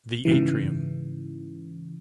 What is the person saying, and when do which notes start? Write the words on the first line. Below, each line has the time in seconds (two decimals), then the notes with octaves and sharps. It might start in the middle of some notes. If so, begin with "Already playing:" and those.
The Atrium.
0.25 G#2 C#3 E3